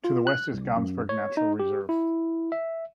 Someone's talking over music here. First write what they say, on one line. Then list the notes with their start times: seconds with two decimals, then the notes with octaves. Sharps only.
To the west is Gamsberg Nature Reserve.
0.04 F4
0.27 F#6
0.52 C2
0.76 F#2
1.09 C#5
1.37 D#4
1.59 G4
1.89 E4
2.52 E5